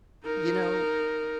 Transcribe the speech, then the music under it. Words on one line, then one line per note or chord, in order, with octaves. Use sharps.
You know
D#4 A#4